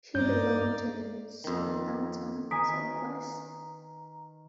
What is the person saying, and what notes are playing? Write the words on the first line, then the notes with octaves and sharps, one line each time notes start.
She belonged to the "Southampton" subclass.
G2 D#4 D5 G6
F2 D#3
D#3 B4 G#5 A#5 D#6 B6 D7